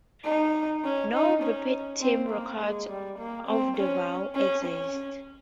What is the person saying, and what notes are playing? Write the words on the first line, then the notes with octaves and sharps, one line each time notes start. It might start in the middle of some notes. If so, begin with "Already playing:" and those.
No verbatim record of the vow exists.
D#4
C#4
D#4
C#4
C4
A#3
G#3
G3
A#3
C4
C#4
C#4
C#4